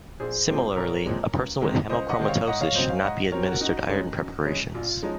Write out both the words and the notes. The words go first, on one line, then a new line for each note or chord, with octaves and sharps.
Similarly, a person with hemochromatosis should not be administered iron preparations.
A#1 G#4 C5
A#2 F3 G#3 C4
A#1 A#4 C#5
A#2 F3 G#3 C4
C#2
C3 D#3 G#3 C4
C#2 C5 D#5
D#5 F#5
C3 D#3 G#3 C4
C#5 F5
G#2 D#5 F#5
C#5 F5
F#3 C4 C5 D#5
C#5 F5
G#2 D#5 F#5
F#3 C4 A#4 C#5
F#4 A#4
F#2 D#4 F#4
C#3 G#3 C#4
F#2
C#3 G#3 C#4
A#1 F4
F3 G#3 C#4 D#4